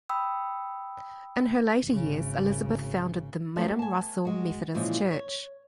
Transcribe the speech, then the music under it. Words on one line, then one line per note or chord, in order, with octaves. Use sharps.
In her later years, Elizabeth founded the Madam Russell Methodist Church.
G5 B5 D#6 E6
G#1 C#3
F#3 A3 B3 C#4
G#5 A5
G#3 F#4
A#2 C#3 E3 F3 G#3
C#5